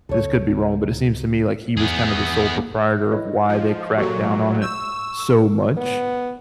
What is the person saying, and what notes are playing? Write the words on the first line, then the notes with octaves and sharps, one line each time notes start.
this could be wrong, but it seems to me like he was kinda the sole proprietor of why they cracked down on it so much
C#2 B3 A4 C#5
E2 B3 G#4
E4 B4 C#5 D#5
F3
A#2 F#3 F#4 G4 A4 C#6
C#6 E6 G6
B3